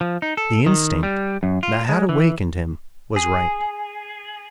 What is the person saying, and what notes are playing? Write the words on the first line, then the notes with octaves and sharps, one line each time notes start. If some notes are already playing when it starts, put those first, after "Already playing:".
The instinct that had awakened him was right.
F3
D#4
A4
D#3
G3
F#2
F4
G#3
E3
G#4